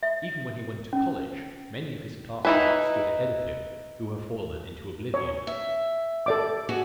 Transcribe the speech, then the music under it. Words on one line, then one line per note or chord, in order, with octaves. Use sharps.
Even when he went to college many of his classmates stood ahead of him, who have fallen into oblivion.
E5
C#4
D#4 E4 B4
C#5
E5
A4 D5 D6
F#4 G#4